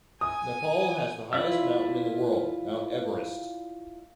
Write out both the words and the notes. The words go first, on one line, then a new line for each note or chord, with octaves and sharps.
Nepal has the highest mountain in the world, Mount Everest.
G#5 D#6
E4 F4 D5 E5 E6